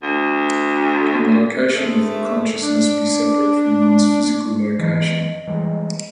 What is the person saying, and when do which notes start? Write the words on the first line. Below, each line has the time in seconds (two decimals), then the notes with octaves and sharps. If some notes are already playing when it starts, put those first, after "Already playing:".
Can the location of the consciousness be separate from one's physical location.
0.03 D2
1.74 D2 D#3 G#3 A3 E5
2.62 D4
4.79 E3 F3 B3 D#5
5.47 E3 G3 G#3